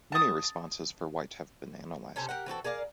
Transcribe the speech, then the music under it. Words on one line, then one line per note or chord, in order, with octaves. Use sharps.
Many responses for White have been analysed.
A5 D#6
C3 C#4 A4 C5
G4 A#4 F#5
E3 C4 F#4 A4
G#4 A#4 D5 F5